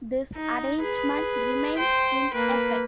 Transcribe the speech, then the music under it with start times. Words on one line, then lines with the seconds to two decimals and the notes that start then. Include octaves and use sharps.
This arrangement remains in effect.
0.35 D#4
0.81 G#4 B4
1.78 C5 G5
2.34 A#3 B4